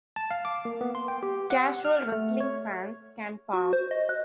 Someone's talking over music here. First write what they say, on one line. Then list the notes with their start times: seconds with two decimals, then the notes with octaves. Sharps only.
Casual wrestling fans can pass.
0.16 A5
0.31 F5
0.45 D6
0.65 A#3
0.81 B3
0.95 C6
1.08 G5
1.23 G4
1.50 F#5
1.85 F6
2.12 A3
2.40 C#5
3.53 F#4
3.73 C5
3.91 D#5
4.09 F#6